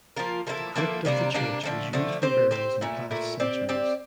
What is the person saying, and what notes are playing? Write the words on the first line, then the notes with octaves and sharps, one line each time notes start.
The crypt of the church was used for burials in past centuries.
F3 A#3 F4 A#4
F3 A#3 E4 A4
F3 A#3 E4 A4
C3 G3 A#3 D4
C3 G3 A#3 D4
D3 F3 A3
D3 F3 A3
C4 G4 C5
C4 G4 C5
A#2 A3 E4
A#2 A3 E4
C4 G4 D5
C4 G4 D5